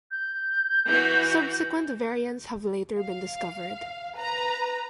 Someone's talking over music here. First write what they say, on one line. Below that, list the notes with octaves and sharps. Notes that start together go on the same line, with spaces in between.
Subsequent variants have later been discovered.
G6
E3 F#4
F5
B4 A#5